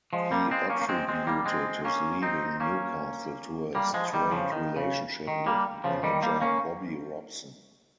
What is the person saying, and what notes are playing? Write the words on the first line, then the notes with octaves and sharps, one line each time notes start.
He attributed his leaving Newcastle to a "strained relationship" with manager Bobby Robson.
F3 G#3
G3 A#3
G#3 C4
A#3 C#4
A#3
G#3 C4
G#3 C4
G3 A#3
G#3 C4
A#3 C#4
C4 D#4
A#3 C#4
G3 A#3
F3 G#3
G#3
D#3 G3
C#3 F3
D#3
C#3
D#3
G3 A#3
C#3 F3
D#3 G3
G3 A#3
A#3 C#4